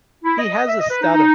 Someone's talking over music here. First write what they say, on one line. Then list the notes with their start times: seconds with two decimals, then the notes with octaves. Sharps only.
He has a stutter.
0.25 E4
0.39 D#5
0.53 D#5
0.68 E5
0.79 D#5
0.90 B4
1.02 D#4
1.13 D#4